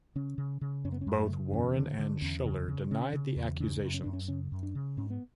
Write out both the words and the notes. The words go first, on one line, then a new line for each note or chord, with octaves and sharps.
Both Warren and Schuller denied the accusations.
C#3 C#4
C#3
C#3
F#2 C#4
B3
C#4
F#2
A3
C#3
E2 C#4
D3
D3
E2 C#4
C#3
C#3
C#3 C#4
C#3
E2
C#3 D4
F#2
C#4
F#2 D4
C#4
C#3 C#4
F#2
D4
C#3
G#2 C#4
B3